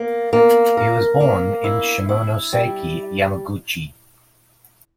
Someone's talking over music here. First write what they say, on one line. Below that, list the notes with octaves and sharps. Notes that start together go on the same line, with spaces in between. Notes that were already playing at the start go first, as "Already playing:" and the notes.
He was born in Shimonoseki, Yamaguchi.
Already playing: A#3
A#3
A#4
A#3
E4
E4
G3